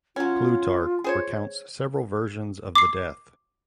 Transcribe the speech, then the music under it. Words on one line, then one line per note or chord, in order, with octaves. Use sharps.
Plutarch recounts several versions of the death.
F#3 C#4 F4
G#4 C5 C#5
D6 C7